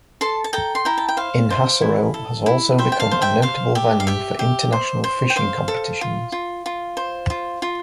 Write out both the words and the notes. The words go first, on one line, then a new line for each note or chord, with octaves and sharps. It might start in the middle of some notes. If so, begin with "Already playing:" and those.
Inhassoro has also become a notable venue for international fishing competitions.
A4 A5 C6
A5
A4 G5 A#5
C6
E4 G5 A#5
A5
G5
C5 F5
C5
E4
A4
E4
C5 E5 G5
G5
F5 A5
C5
E5 G5
C5 F5
G4 E5
F5
G4 E5
G4
C5
C5
G5
C5 F5
A4
F4
F4
F4
C5
F4
F4